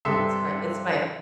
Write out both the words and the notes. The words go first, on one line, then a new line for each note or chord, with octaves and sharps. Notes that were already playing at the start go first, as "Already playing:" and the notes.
It's my it's my
G2 C3 A4 E5 C6 E6